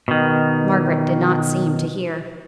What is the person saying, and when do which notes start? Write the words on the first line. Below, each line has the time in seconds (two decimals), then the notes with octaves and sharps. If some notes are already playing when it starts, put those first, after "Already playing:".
Margaret did not seem to hear.
0.08 B2 D#3